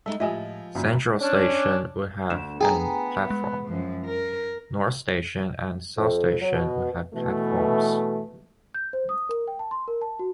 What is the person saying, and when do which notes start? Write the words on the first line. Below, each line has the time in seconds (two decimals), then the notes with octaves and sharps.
Central Station would have an platform; North Station and South Station would have platforms.
0.06 G3 G#3 D#4 A4 E5
0.20 A2 F3 G#3 E4 F4 G4 D#5 G#5
0.75 G1 F#2 A#2 B5
1.20 C#4 D4
2.30 D2 E7
2.61 B3 G#4 G5 G#5 A#5
3.30 G#3
3.69 F#2 F3
4.06 A#4
5.97 F2
6.41 F#3
6.53 B2
7.13 B2 E3 A3
8.74 G6
8.93 C5
9.09 D#6
9.29 A#4
9.48 G5
9.59 A5
9.71 C6
9.88 A#4
10.02 A5
10.19 F#4